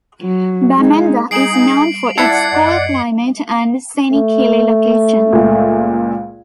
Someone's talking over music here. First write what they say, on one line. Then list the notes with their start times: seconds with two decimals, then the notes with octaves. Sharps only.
Bamenda is known for its cool climate and scenic hilly location.
0.22 F#3
0.77 G#3 D#4
1.31 G3 D#4 G#4 C7 D7 F#7
2.18 E4 F4 A4 D5 F#5 G#6 C7 C#7
2.52 F#2 D#5
4.13 A3
5.33 C#2 A#2